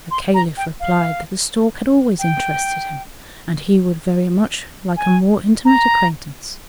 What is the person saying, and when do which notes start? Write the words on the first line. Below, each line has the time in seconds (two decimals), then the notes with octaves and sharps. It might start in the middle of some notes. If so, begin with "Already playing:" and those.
The Caliph replied that the stork had always interested him, and he would very much like a more intimate acquaintance.
0.11 C6
0.34 A#5
0.57 G5
0.80 F5
2.19 G5
4.97 G#5
5.65 A#5